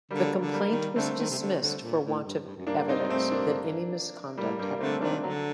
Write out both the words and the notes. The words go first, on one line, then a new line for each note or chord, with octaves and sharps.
The complaint was dismissed for want of evidence that any misconduct had occurred.
D3 G3 A#3
D3
G3 A#3
D#3
D3 A3 C4
D#3
C3
D3
D3
A#2
A2
G2
G2
F#2
G2 A#3 D4
C4 D#4
A3 C4
A#3 D4
A2 G3 A#3
G2 G3 A#3
D3 A3 C4
D#3 A#3 D4
D3 F#3